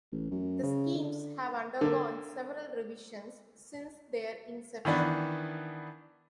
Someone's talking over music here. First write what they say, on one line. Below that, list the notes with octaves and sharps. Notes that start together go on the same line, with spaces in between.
The schemes have undergone several revisions since their inception.
A1
F#2
C#3
D3
D3 A#3
D#3 E3 B3 D4